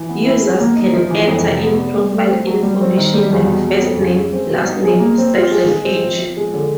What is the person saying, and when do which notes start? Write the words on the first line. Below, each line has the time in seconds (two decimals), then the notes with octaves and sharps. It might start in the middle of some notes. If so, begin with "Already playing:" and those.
Users can enter in profile information like first name, last name, sex, and age.
Already playing: E3
0.09 B3
0.25 E4
0.42 G#3
0.60 A#3
0.76 D#4
0.93 F3
1.10 E3
1.28 F2
1.44 C3
1.61 B3
1.79 D4
1.95 G3
2.12 A3
2.30 C4
2.47 F#3
2.63 G3
2.81 C4
2.97 D#3
3.14 G3
3.31 E2
3.47 B2
3.65 F#3
3.82 F2
3.99 C#3
4.16 G#3
4.33 C4
4.50 B2
4.66 D#4
4.84 G#4
5.00 A#3
5.18 C4
5.35 F4
5.51 G#3
5.68 G#3
5.85 C4
6.03 F3
6.19 F3
6.37 G#3
6.54 D3